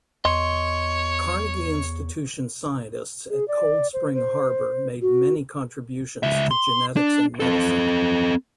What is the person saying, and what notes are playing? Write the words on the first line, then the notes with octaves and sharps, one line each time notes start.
Carnegie Institution scientists at Cold Spring Harbor made many contributions to genetics and medicine.
E2 C#5 D#5 C6
G#4
D5
C5
C5
F#4
C#2 E5
C6
D4
C4 A4